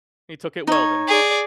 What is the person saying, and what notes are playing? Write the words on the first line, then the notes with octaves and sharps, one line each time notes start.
He took it well then.
D#4 C#5
G#4 D5